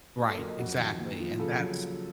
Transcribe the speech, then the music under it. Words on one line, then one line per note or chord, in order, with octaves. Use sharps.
Right, exactly, and that's
A#2 F#4
A4
F#3 A#4
D#5
F2 F#4
D#3
A#2
F3
C#3 A4
F#3